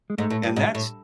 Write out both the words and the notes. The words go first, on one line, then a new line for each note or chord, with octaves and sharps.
and that's
G#3
G#2 A3
A2
G2
G#2
A2